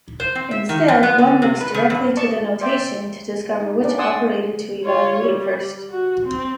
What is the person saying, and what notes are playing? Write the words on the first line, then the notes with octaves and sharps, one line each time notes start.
Instead, one looks directly to the notation to discover which operator to evaluate first.
C5
C4
E5
D#3
F#2
B3
D3
C3
B4
C#3
G2
D5 D#5 A5 C#6
C5 D5 E5 G5
D#4
C#4 D4 D5
D5 F#5 G#5 C6 D#6 E6
F4 C#5
G3
F#4
C4